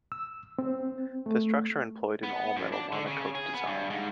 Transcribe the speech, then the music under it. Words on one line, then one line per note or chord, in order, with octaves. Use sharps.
The structure employed an all-metal monocoque design.
E6
C4
A3
B3
F#2
D4
D3
C#3
G#4
B3
G2
G#2